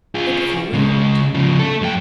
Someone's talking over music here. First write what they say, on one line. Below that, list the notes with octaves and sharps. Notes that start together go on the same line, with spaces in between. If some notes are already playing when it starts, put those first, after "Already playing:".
It flew out.
F4 G#4
C#3 G#3
C#3 F3
A3 A4
F#2 G5